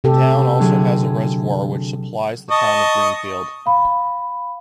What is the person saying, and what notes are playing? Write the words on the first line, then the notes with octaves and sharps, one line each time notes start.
The town also has a reservoir which supplies the town of Greenfield.
C3 G4 A4
D3 F#3 G#4
D#5 A5 C#6
F5 B5